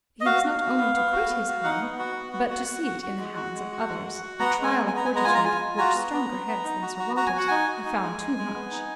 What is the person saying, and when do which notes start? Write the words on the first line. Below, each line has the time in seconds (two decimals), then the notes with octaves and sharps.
He was not only to quit his home, but to see it in the hands of others; a trial of fortitude, which stronger heads than Sir Walter's have found too much.
0.21 D#5
0.26 F#4 F5
0.43 F#4
0.61 F#4
0.79 B3
0.95 B3
1.13 F#4
1.29 B3
1.48 F#4
1.64 D#4 F#5
1.81 B3
1.99 F#4
2.16 B3
2.33 F#4
2.50 F#4
2.68 F#4
2.86 F#4
3.02 F#4
3.19 G#3
3.36 F#4
3.55 G#3
3.72 F#4
3.88 G#3
4.05 F#4
4.23 F#4
4.40 B3 A#5
4.58 G#3
4.63 G#5
4.75 B3
4.87 G#5
4.92 B3 A#5
5.05 G#3 G#5
5.15 A#5
5.25 F4 G#5
5.35 A#5
5.44 F4 G#5
5.61 F4
5.78 F#4 A#5
5.95 B3
6.12 B3
6.30 B3
6.47 B3
6.64 D#4
6.82 F#4
6.99 F#4
7.16 F#4 A#5
7.27 G#5
7.33 F#4 F#5
7.48 D#4 G#5
7.67 F#4
7.85 D#4
8.03 G#3
8.20 G#3
8.38 G#3
8.54 B3
8.71 D#4